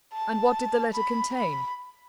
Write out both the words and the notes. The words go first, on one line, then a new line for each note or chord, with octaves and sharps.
"And what did the letter contain?"
A5
B5
B5